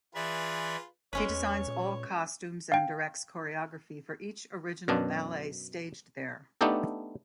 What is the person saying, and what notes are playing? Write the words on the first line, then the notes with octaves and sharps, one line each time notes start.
She designs all costumes and directs choreography for each original ballet staged there.
E3 F4 G#4 B4 D5 E5
G1 G#3 C#4 B4 C#5
E2
A#2
F5 G5
F#2 B2 D4
A3 B3 D4 D#4 G4 A4